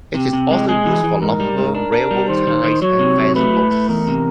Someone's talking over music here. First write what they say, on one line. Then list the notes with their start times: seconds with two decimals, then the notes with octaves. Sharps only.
It is also used for lumber, railroad ties, and fence posts.
0.14 C3 G4
0.33 C3
0.51 G#3
0.68 G#3 G#4
0.86 E3
1.04 E3
1.22 G#2 A#4
1.40 G3
1.58 G#2
1.75 D4 A#4
1.92 D4
2.11 G3
2.29 D#3 C5
2.47 D#3
2.64 D#3
2.82 F#3 C#5
2.99 C3
3.18 F#3
3.36 A3 B4
3.53 A2
3.71 A3
3.89 E2 A#4
4.07 C3